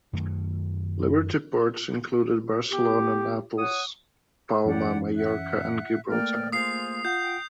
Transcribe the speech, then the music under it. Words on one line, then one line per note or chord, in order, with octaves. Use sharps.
Liberty ports included Barcelona, Naples, Palma Majorca, and Gibraltar.
F#2 D#3 A3
B3 G4 G5 D6
C#5 F#5 D#6
F#2 E3 C#4 G4 D5 F#5
E5 F#5 F#6
A3 A#3 D5 G5 F6
F4 G#4 C5 D#6 C7
F4 F#5 G6
G5